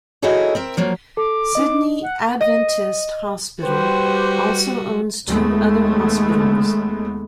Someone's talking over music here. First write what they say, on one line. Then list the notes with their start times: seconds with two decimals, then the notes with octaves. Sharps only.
Sydney Adventist Hospital also owns two other hospitals.
0.22 D#4 E4 F#4 G#4 A4 C#5
0.55 C4 A#4 E5
0.77 F3 F#3 A#3
1.17 A4 D6
1.55 D#4 D#5
2.03 F#5
2.41 D#5 D#7
3.63 G3 F#4 G4 B4 C5
5.24 D#2 G#3 A3 B3